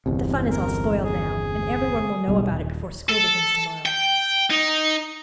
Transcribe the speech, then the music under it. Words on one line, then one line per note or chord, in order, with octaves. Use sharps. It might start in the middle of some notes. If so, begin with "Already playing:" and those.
"The fun is all spoiled now, and everyone will know about it before school begins to-morrow."
G1 E2 C3
A#4
G#4
D1 B1 G3
D#1
A4
G5
D#4